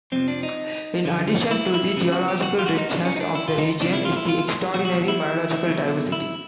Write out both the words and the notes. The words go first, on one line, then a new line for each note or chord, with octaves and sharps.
In addition to the geological richness of the region is the extraordinary biological diversity.
F2 C3 F3 C4
D4
D#4
F#2 D3 F3
E4
E4
E2 C#3 E3
F#4
G4
F#4
F4
F#4
D#4
C#2 C#3 F#3 D4
C#4
D#4
D4
E4
F4
D#4
C#2 C3 F3 D4
E4
F4
E4
F4
E2 B2 F#3 F#4
F#4
E4
E2 B2 F#3
E4